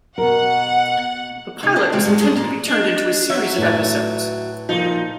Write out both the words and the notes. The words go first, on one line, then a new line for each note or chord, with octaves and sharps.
The pilot was intended to be turned into a series of episodes.
B2 A#4 F#5
C3 C#4 D#4
D4 E4 D#5
D#2 C3 G#3 C4 F4 G5
G2 G#3
G#4 A4 C5
A#3 D4
D4 D#5
F#3 C#5 E5
A2 B4 A6
A#2 F3 D#4